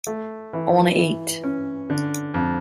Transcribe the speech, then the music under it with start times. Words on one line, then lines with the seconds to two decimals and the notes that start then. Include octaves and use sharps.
I wanna eat!
0.07 A3
0.53 E3
0.99 E3
1.44 C#4
1.90 D3
2.34 F2